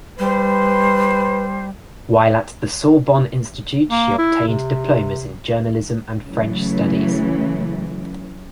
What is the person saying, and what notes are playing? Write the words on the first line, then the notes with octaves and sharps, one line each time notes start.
While at the Sorbonne institute she obtained diplomas in journalism and French studies.
G3 B4 C5
A#3
E4
C3
C#3 E3 F#3 A3